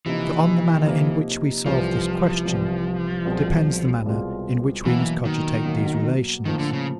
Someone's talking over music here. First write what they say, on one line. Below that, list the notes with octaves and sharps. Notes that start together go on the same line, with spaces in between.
For, on the manner in which we solve this question depends the manner in which we must cogitate these relations.
C3 E3 F3 A#3 D#4
C3 F3 A#3 D#4
C2 C3 E3 F3
C2 C3 E3
C2 B2 G#3 C4 F4
C2 B2 G#3 C4 F4
B2 E3 F#3 A#3
D#3
B2 F#3 A#3
A2 D#3 F3 A#3
D3
C#3